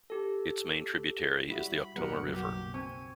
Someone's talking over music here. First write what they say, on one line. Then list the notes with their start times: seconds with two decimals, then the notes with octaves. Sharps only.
Its main tributary is the Ukhtoma River.
0.10 G4 A4
1.50 G3 E4 F#4 B5
1.96 F#1 B1 F#3 G3 A#3 B3 A#4 F#5
2.34 F#4 G4
2.74 C4 G#5 C#6